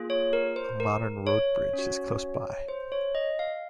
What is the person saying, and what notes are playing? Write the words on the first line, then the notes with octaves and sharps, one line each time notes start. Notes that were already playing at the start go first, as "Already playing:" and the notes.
A modern roadbridge is close by.
Already playing: A#3 F4 G#4
C#5
A#4
C5
A#4
C#5
C#4
F#4
C5
C#5
D#5
F5